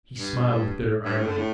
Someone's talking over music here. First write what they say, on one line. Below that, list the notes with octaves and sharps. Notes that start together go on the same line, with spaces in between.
He smiled with bitter irony.
G2
G2
A2
D3
A2